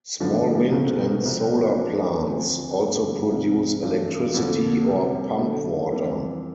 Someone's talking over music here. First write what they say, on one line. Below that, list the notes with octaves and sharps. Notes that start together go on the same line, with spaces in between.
Small wind and solar plants also produce electricity or pump water.
G2 D3 F3 B3 D4
C2 B2 A3 C4 F4
C2 C3 F3 C4
E3 A3 D4
D2 C3 F3 C4
G2 D3 G3 B3 E4
C2 C3 F3
G2 E3 A3
F2 D3 F3
C2 C3 G3
D3 A3 D4
F2 E3 G3